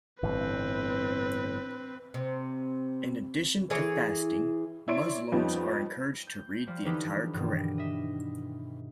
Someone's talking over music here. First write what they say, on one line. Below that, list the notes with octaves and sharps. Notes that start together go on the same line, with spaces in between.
In addition to fasting, Muslims are encouraged to read the entire Quran.
G1 A2 E3 C4 B4
C3
E3 G#4 C#5
E4 C#5 D5 C6 D7
F2 F3 G3 B3 C#4 D#4
G6
F3 G3
D3 E3 F3 D#4 G4 B4
G2 B2 D#3
D#5 E5